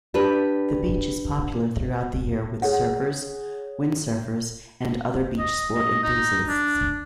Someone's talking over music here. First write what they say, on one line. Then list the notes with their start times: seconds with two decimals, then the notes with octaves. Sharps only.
The beach is popular throughout the year with surfers, windsurfers, and other beachsport enthusiasts.
0.14 D4 G4 B4
2.62 G#4 C#5 F#5
5.39 D#5
5.75 D#5
6.03 D#4
6.48 D4